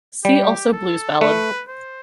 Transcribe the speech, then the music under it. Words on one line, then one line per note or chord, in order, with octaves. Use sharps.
See also blues ballad.
G3 G4
A4
A3 B4
C5